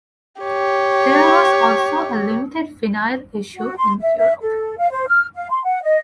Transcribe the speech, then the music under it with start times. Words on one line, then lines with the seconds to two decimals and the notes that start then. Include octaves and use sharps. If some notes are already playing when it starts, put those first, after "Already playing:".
There was also a limited vinyl issue in Europe.
0.42 G4 C#5
3.56 F#4
3.76 C6
4.00 E5
4.17 E5
4.41 A4
4.78 F5
4.90 C5
5.08 F6
5.35 F5
5.50 C6
5.64 F#5
5.82 D#5